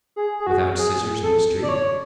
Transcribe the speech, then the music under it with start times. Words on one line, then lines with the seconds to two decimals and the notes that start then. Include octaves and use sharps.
"Without scissors, in the street?"
0.16 G#4
0.40 G#4
0.47 F#4
0.77 G#4
1.23 A4
1.62 D5
1.69 C#5